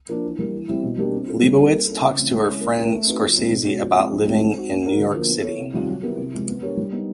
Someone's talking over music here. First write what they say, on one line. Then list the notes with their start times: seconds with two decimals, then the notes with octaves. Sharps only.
Lebowitz talks to her friend Scorsese about living in New York City.
0.09 F3 A#3 D4
0.23 E3
0.39 G3 A#3
0.53 E3
0.68 G3 C4 E4
0.83 B2
0.98 G3 A#3 D4 G4
1.13 C4
1.27 F4 A4
1.43 G3
1.57 C4 D#4 G#4
1.72 A#3
1.86 C#4 E4 A4
2.02 C#3
2.17 E3 A3 C4
2.31 G#3
2.46 C#4 E4
2.61 A#3
2.76 C#4 F4 A#4
2.91 A3
3.06 C4 D#4 F#4 B4
3.20 F3
3.36 G#3 C4 D#4
3.50 B2
3.65 G#3 C#4 F#4
3.80 F3
3.95 G#3 C4 E4
4.10 F3
4.24 G#3 C4 D#4 G4
4.39 C4
4.54 D#4 F#4
4.69 A#3
4.85 C#4 F#4 A#4
4.99 D3
5.14 F3 A#3
5.29 B3
5.43 E4 A4 C#5
5.58 C3
5.73 D#3 G3 C4 F4
5.88 F#3
6.03 B3 E4 G4 A#4
6.18 C3
6.33 F3 G#3
6.47 B3
6.62 D4 G4 A#4 C#5
6.77 G3
6.92 B3 D#4